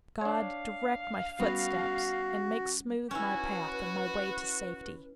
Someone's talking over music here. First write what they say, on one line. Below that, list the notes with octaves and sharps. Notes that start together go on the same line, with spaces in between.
God direct my footsteps, and make smooth my path and my way to safety!
D4 C#5 F5
G3 B3 C#4 F#4
C#4 E4 F#4 B4